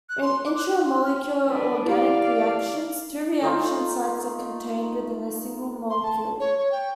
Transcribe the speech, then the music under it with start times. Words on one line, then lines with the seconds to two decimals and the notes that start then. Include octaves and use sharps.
In intramolecular organic reactions, two reaction sites are contained within a single molecule.
0.09 F#6
0.22 C6
0.46 D6
0.58 F#6
0.84 C6
1.03 F6
1.49 D4 B4
1.86 E4 G4 D5 F5
3.42 A3 D#4 F4
5.90 C6
6.03 A5
6.40 C#5
6.58 C#5
6.72 G5